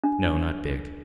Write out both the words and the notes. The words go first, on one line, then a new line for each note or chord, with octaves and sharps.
"No, not big."
D4